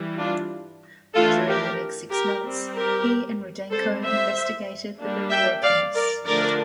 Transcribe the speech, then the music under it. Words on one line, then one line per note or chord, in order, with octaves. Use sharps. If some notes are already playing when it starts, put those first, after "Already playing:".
During the next six months, he and Rudenko investigated the "Beria Case".
Already playing: E3 G3
D4 F4
E3 A3 D4 F4 A4
G4 A#4
G4 A#4
G3 C4
G4 A#4
G3 C4 A4 C5
C5 E5
G3 A#3 D4
E5 G5
D5 F5
A#4 D5
D3 F3 A3 D4 A#4 D5